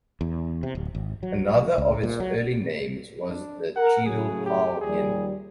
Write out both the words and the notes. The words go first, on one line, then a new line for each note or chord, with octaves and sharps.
Another of its early names was the Cheadle Plough Inn.
E2
C3
D1
G#1
F#3
C#2
A#2
F#3
D4
A#4 F#5
A2 C#3 F#3 G#4
G4
D#2 F3 G3 G#4